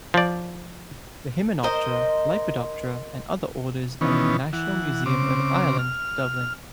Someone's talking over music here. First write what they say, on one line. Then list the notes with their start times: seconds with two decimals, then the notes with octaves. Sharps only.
The Hymenoptera, Lepidoptera and other orders are in the National Museum of Ireland, Dublin.
0.14 F3 D5
1.63 A#4 C5 D#5
4.01 D#3 E3 B3 C#4
4.53 E3 F#5
5.06 C#3 C4 D6
5.79 F6